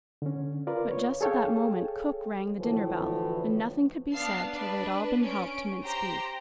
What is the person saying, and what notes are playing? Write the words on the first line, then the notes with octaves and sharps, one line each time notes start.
But just at that moment cook rang the dinner-bell, and nothing could be said till they had all been helped to minced beef.
D3 C#4
F4 A#4 B4 D5
C#5
G#4 A4 C#5 F5 G5
D2 A2 E3 F3
B3 D4 F5 A5 C7
D4 B4
C#4 D7
G4 C5 G5 A#5 C6